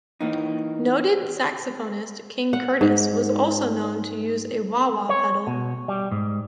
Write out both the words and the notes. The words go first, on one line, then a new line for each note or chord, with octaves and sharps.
Noted saxophonist King Curtis was also known to use a wah-wah pedal.
E3 A#3 D#4
F#5
G#2
C#5
B2
G3
G#2